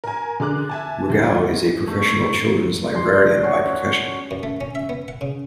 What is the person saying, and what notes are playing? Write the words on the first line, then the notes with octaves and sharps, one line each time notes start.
Rogow is a professional children's librarian by profession.
A#4 G#5
D3 G#4 D6 F#6
E5 G#5 A5
D2
A3
D4 C6
C#4 F#4 C#5
F#2
A3
C#4
E5
B3
F#5
C#3